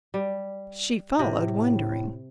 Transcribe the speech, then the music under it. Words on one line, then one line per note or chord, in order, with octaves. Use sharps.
She followed, wondering.
G3
A2 C3